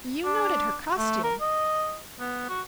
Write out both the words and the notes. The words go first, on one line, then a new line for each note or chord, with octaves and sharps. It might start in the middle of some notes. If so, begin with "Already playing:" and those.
You noted her costume.
D4
A3
A#4
D#5
B3
F#4